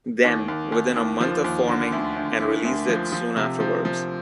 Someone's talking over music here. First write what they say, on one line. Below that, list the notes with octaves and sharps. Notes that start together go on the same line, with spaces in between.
Them, within a month of forming and released it soon afterwards.
D#2
D#2
D#2
D#2
F3
D#2
D3
D2
D2
D2
D2
F3
F3
C3
F3
F3